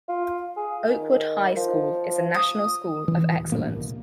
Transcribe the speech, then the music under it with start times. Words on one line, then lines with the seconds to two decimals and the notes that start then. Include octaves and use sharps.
Oakwood High School is a national school of excellence.
0.09 F4
0.57 G#4
0.90 D#3
1.56 F3
2.08 F3
2.34 D#6
3.08 E3
3.35 D#1
3.52 A1 G2 A#2 A#3
3.76 C2